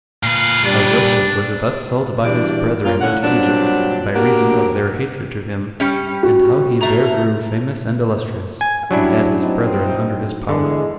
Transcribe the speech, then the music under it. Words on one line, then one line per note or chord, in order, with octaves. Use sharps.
How Joseph Was Thus Sold By His Brethren Into Egypt, By Reason Of Their Hatred To Him; And How He There Grew Famous And Illustrious And Had His Brethren Under His Power.
A#2 B4 F5
G3 D4
E3 G3 D4 F#4 D5
A#3 C#4 F4
A2 D3 C#4 F#5
G2 A#2 F#3 C4 D4
A#3 D4 F#4 G4
G3 C#4
F#4
A2 A3 A#5
G#5
F#3 G3 C#4 D4 E4
C4 D#4
E2 D3 G#3